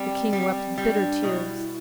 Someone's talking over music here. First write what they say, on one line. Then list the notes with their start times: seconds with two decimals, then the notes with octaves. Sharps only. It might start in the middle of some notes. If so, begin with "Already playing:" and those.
The King wept bitter tears.
Already playing: G3 C4
0.33 G3 C4
0.63 C4
0.78 G3
0.94 D4
1.23 B2 E4